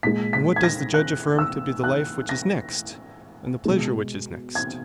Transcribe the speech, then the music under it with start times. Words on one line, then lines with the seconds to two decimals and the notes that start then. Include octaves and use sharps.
And what does the judge affirm to be the life which is next, and the pleasure which is next?
0.03 A#2 G#3 B6
0.33 B6
0.56 G#6
0.63 A#6
0.94 F#6
1.39 E6
1.84 F#6
2.29 A#6
3.65 B2 G#3
4.55 G#6